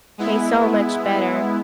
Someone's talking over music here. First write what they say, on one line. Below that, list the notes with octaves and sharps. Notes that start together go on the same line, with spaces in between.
Tastes so much better.
G#3 B3 E4